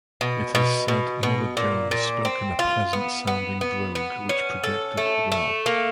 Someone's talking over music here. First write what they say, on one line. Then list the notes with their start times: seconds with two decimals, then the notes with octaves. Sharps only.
It is said Mother Jones spoke in a pleasant-sounding brogue which projected well.
0.21 B2
0.55 B2
0.88 B2
1.23 B2
1.57 A#2
1.91 A#2
2.25 C4
2.59 F4
2.93 B3
3.27 B3
3.61 B3
3.95 B3
4.29 C#4
4.64 A4
4.97 A3
5.32 A3
5.66 A#3